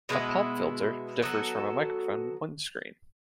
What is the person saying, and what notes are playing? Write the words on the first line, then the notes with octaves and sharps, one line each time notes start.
A pop filter differs from a microphone windscreen.
B2 G#3 B3 E4
F#3 B3 F#4 A4